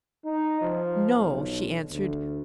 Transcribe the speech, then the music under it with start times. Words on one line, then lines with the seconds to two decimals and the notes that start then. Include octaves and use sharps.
"No," she answered.
0.24 D#4
0.61 F3
1.15 B1
1.91 D2